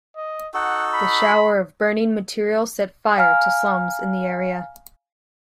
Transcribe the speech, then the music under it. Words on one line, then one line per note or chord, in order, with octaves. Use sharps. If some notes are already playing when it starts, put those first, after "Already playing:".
The shower of burning material set fire to slums in the area.
D#5
D#4 F#4 A4 F#5
B5
F5 G#5 A#5 F6